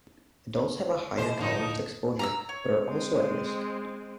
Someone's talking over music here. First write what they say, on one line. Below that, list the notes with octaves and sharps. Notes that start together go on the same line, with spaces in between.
Adults have a higher tolerance to exposure, but are also at risk.
B2 E3 G4 C5 D#5
D2 A2 F3 D#4
A#5 D6 E6
C#5
G#3 C4